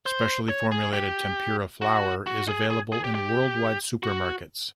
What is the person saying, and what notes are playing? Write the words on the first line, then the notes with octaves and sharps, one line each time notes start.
Specially formulated tempura flour is available in worldwide supermarkets.
C5
C#5
G#4
G4
F#4
F#4
G#4
G#4
G#4
G4
G4
F#4